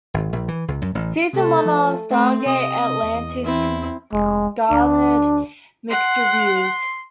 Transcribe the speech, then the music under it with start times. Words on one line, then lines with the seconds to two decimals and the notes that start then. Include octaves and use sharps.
Season one of "Stargate Atlantis" garnered mixed reviews.
0.14 G#1
0.33 A#1
0.48 E3
0.68 C#2
0.82 F#2
0.95 A1
1.33 C3 A3 A4
1.65 F3
2.10 A3 C4
2.46 C3 D#5
3.03 E2
3.45 C4 E4
4.13 F1 G#3
4.71 D2 D4
5.90 F#5 C6